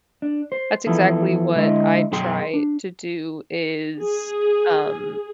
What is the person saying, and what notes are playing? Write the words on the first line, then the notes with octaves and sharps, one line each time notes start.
that's exactly what I try to do is, um,
D4
C5
E3 F3 B3 E4 A4
D3 G#3 E4 D#5 E5
F#2 B2 D#4 G#4 G5 C6
D4
G#4